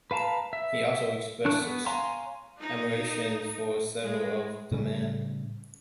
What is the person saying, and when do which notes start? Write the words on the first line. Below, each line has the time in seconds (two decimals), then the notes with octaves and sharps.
He also expresses admiration for several of the men.
0.11 B4 F5 A5 A#5
0.53 E5
1.45 E3 D4 C#6 F#6
1.61 B3
1.86 C#5 F5 G#5 A#5 C6
2.61 D#4
4.03 G#3
4.71 A2 C#3 G3 C#4